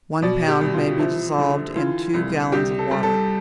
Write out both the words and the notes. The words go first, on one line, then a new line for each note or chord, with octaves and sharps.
One pound may be dissolved in two gallons of water.
B2 D5
G4
C2
F4
F3 E4
D3
E3 F4
C2
C2 G4
A4
G3
A4